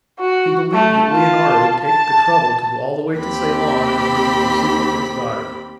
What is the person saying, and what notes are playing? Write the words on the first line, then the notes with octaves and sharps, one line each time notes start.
He believed that Leonora would take the trouble to go all the way to Ceylon in order to soothe his daughter.
F#4
A3
F4 A5
A5
D#2 C4 G4 B5